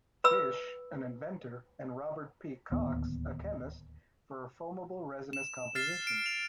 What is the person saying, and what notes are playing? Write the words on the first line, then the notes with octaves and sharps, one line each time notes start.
Fish, an inventor, and Robert P. Cox, a chemist, for a foamable resinous composition.
B4 B5 E6
D1 D#2 B3
E7
F6 A6 C7 E7
D7
F7